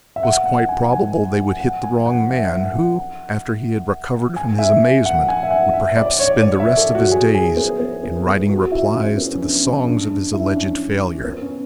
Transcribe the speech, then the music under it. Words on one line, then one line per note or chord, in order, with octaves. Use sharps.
It was quite probable they would hit the wrong man who, after he had recovered from his amazement would perhaps spend the rest of his days in writing replies to the songs of his alleged failure.
E5
F#5
F#5
G#5
G#5
F#5
G#5
F#5
E5
F#5
F#5
G#5
E5
F#5
G#5
E5
F#5
E5
D5
C#5
D5
E5
A4
F#4
F#4
G#4
G#4
B3
B3
B3
B3
F#4
E4
C#4
B3
C#4
D4
C#4
D4
D4
E4
D4
C#4
B3
C#4